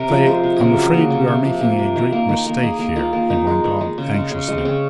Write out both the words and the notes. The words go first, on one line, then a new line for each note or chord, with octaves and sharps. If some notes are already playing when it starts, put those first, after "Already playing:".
"Say, I'm afraid we are making a great mistake here," he went on anxiously.
Already playing: C3 A#4
F3
G#3 C5
C3
C#3 G#4 A#4
F#3
A#3
C#3
C3
F3
A#3
C3
D#3
A#3
D#3
A#3
D#3 G#4
A#3
D#3 F4
A#3
D#3 D#4
G#3
D#3
G#3
C#3
G#3
C#3
G#3
C4
C#3 C#4